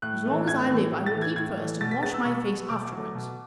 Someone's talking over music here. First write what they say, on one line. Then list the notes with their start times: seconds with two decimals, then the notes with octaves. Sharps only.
"As long as I live I will eat first and wash my face afterwards."
0.02 A2 F#6
0.25 E3 A3
0.47 A2 G#6
0.69 E3 A3
0.92 A2
1.06 A6
1.13 E3 A3
1.22 G#6
1.36 A2 G#6
1.58 E3 A3
1.81 B2 A6
1.91 B6
2.03 G#3 B3 A6
2.14 E6
2.25 B2 C#6
2.47 G#3 B3
2.70 B2 D6
2.92 F#3 A3
3.15 B2